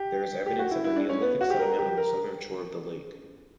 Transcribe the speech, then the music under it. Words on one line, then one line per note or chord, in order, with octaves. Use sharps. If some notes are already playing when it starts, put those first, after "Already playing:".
There is evidence of a neolithic settlement on the southern shore of the lake.
Already playing: G4
G4
F#4
E4
E4
D4
C#4
B3
F#4
G4
A#4
G4
A#4